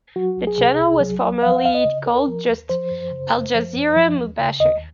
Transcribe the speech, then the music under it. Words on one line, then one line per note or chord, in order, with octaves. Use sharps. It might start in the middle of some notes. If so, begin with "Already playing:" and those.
The channel was formerly called just Al Jazeera Mubasher.
F#3 F#4
C2
G#4
C3
C2
F#3
C2
F3 F5
F#5
D#2 F5
D#5
C#3
D#2 A#4
F3
D#2
F3 C5
F#2
C#3
F#2
F3
F#2
F3
D#2
C#3
D#2 D#5